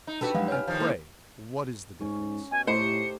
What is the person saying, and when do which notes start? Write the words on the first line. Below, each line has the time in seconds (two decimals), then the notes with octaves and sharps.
"And, pray, what is the difference?"
0.07 D#4
0.21 D4 E4 F#4 G4 A4 B4
0.35 E2 G2 F3 F#3 G#3 F5 F#5
0.48 C#5 F5 G#5 F6
0.67 D#3 F3
0.80 A#3 E4 A4
2.01 G#2 C#4
2.51 B2 G#5
2.67 A2 A3 D#4 G4 C5 C#7